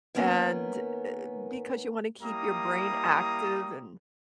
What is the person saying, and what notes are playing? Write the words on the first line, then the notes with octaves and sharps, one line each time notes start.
and, eh, because you wanna keep your brain active and
D#3 A#3 B3 C#4
G3 A#3 E4 A#5 D#6